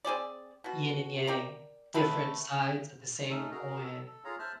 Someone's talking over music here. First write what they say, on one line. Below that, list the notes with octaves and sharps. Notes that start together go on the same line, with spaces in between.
"yin and yang," "different sides of the same coin."
C4 G#4 C5 D5
B2 F#4
A#4 D5 G5
A3 C4 B4 D#5
A3 C#4 D#4 A4
F#4 G#4 A#4 A#5
A4
A4
F4 G#4 C#5 F5 A#5
C5 E5 A5 F6 F#6